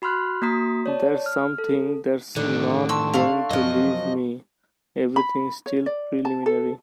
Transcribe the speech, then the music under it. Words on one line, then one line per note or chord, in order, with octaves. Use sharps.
That's something that's not going to leave me...Everything still preliminary.
F#4 B5 C6 F6 F#6
A#3 F#4 A#5 D#6 B6
C#5 D5 A5
F6
A4
A2 D3 D#3
A5 C6 C#6 E6
A3 F5
F#2 F3 D#5
B5
C#5
D5
A5
A4